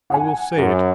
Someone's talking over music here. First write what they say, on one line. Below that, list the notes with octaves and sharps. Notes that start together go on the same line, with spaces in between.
I will say it.
F#5 G#5
F#2